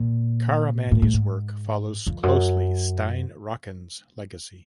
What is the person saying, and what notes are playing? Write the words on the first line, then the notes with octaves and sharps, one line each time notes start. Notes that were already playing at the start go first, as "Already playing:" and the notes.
Caramani’s work follows closely Stein Rokkan’s legacy.
Already playing: A#2
A2
A2
G#2
F2
F#2